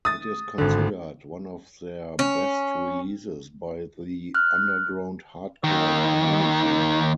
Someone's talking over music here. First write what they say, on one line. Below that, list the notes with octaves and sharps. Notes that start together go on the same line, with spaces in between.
It is considered one of their best releases by the underground hardcore community.
D#6 A6
G#1 D3
C#4
F6 F#6
D#2 D#3